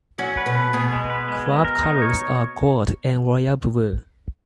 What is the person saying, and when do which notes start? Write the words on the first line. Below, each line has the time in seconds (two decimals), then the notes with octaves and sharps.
Club colours are gold and royal blue.
0.18 F#3 C#4 F#4
0.37 B4
0.46 B2 B3
0.55 B4
0.73 B2 B3 G#4
0.92 G#3
1.10 B4
1.28 G#3
1.46 G#3
1.64 A#4
1.83 D#4
2.02 C#5